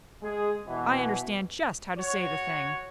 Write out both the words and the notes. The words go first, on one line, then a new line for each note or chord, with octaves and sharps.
I understand just how to say the thing.
G#3 G#4
B2 E3
F#4 C#5